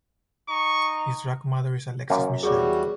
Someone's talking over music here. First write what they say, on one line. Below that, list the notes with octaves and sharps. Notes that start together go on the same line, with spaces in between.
His drag mother is Alexis Michelle.
D#4 C#6
F#2 A#3
E2 G3 F#4 G#4 C#5 D6